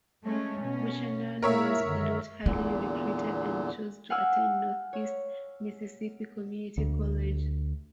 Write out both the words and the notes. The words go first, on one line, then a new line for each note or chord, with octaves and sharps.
Buchanan was not highly recruited and chose to attend Northeast Mississippi Community College.
G#3 A3 C#4
B2 C#4
A#2 A#3 E4 A#4 C#5 E5
F#2 D3 D#3
E2 A#2 D3 B3
F5 F#5 G#5 D6 E6 F6
C#5
D2